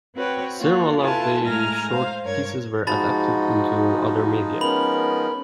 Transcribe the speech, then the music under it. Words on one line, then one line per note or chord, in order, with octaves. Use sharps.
Several of the short pieces were adapted into other media.
C4 F#4 B4 C#5 G5
A#3 F4 F#4 C#5
E4 F4 A4 B4 G#5 A5
A2 G#3 E4 G#5 A#5 F6
C5 F5
G2 A#4 C#5 G#6
G#2 F3 G#3 D#4 F#4 A5 B5 A6
B3 C#4 A#4 B5 F#7